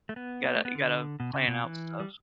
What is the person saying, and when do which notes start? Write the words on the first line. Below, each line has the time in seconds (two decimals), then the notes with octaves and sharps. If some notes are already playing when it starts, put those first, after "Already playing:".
Gotta you gotta plan out stuff.
0.09 A3
0.16 B3
0.45 B3
0.56 A3
0.65 B3
0.75 D3
1.20 B2
1.34 C#3
1.48 B2
1.64 E3
2.00 G3